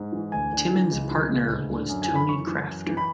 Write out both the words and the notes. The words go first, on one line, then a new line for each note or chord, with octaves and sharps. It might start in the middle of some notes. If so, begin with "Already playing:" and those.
Timmins' partner was Tony Crafter.
Already playing: G#2
E3
D2 G#5
D3
E3
C#2
E3
C#2
D2
D3
F#2
G#5
E3
B5
F#2 C#6
E3
F#2
E3
B5